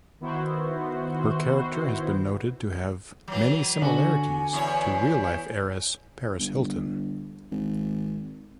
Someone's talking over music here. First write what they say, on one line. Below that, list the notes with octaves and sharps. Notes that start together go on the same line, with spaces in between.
Her character has been noted to have many similarities to real-life heiress Paris Hilton.
D#3 B3 E4 F#4 C5
E3 F#3
D3 F#4 G#5
E2 E4 C#5
G1
G#1